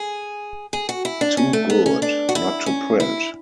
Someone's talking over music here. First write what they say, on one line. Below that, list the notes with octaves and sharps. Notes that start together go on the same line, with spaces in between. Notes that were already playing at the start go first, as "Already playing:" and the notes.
Too good not to print!
Already playing: G#4
G#4
F#4
E4
D4
C#4
A3
B3
C#4
D4
F#4
E4
C#4
E4